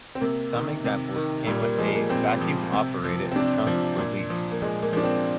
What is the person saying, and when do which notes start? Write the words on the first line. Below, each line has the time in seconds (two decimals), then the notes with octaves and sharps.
Some examples came with a vacuum-operated trunk release.
0.15 C4
0.21 C3 A#3
0.53 D#3
0.84 C3
1.16 D#3
1.47 A#2 G3
1.62 A#3
1.78 F3 G#3
1.95 A#3
2.09 A#2 C4
2.41 F3
2.73 C3
3.04 F3
3.32 C4
3.36 C3 D4
3.67 F3
3.98 A#2
4.30 F3
4.51 A#3
4.62 A#2 G#3
4.82 A#3
4.93 F3 D4
5.04 C4